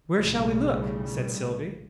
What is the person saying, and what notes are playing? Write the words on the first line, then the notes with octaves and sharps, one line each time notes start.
"Where shall we look?" said Sylvie.
B1 A2 C#3 G3